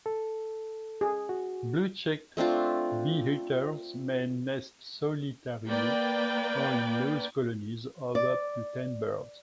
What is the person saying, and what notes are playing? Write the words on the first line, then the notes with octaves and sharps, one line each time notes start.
Blue-cheeked bee-eaters may nest solitarily or in loose colonies of up to ten birds.
A4
G#4
F#4
A3 C4 D4 F4
A#3 B4 D5 G5
D5